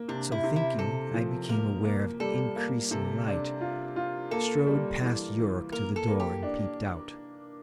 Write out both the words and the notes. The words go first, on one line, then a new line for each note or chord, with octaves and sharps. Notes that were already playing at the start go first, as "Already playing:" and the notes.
So thinking I became aware of increasing light; strode past Yuruk to the door and peeped out.
Already playing: A#3
C3 D4
E4
C3
E4
C3 A4
F3
A#3 A#4
A#3
G3 A4
A#3
C3 A4
D4
F4
F4
A#3 A4
G3
E3
E3
A#3 A#4
A4
A#3
G4
D4